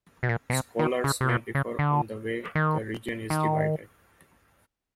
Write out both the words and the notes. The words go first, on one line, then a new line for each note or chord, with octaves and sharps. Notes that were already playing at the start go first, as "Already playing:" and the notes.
Scholars may differ on the way the region is divided.
B2
A#2
B2
C3
D#3
C#3
C3
B2
C#3
D3
D#3
D#3